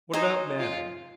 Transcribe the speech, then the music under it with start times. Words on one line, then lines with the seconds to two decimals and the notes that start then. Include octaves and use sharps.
"What about Manning?"
0.13 D#4 C5 D#5 G#5
0.59 F4